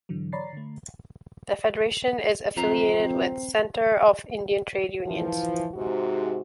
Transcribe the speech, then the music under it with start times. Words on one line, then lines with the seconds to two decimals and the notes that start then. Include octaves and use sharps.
The federation is affiliated with the Centre of Indian Trade Unions.
0.09 G#2 D3 E3 F#3
0.32 C#5 D5 A#5 B5 A6 C7
0.53 D3 A3
2.57 F2 C4 C5 A#5
5.06 E3 F3
5.75 G#2 C3 F#4